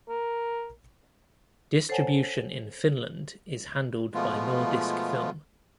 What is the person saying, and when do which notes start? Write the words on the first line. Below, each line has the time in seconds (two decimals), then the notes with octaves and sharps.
Distribution in Finland is handled by Nordisk Film.
0.09 A#4
1.89 A4 C5 C#5 F#5 G#5 A5
4.14 B2 F3 G#3 A3 B3 F4